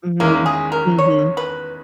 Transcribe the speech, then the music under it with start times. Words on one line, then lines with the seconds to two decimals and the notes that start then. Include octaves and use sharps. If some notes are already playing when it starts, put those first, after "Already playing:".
Mhm, mhm.
0.20 E2 D#3 G#3 A#3 C#4 E4
0.46 G#4
0.72 A#4
0.98 C#5
1.37 B4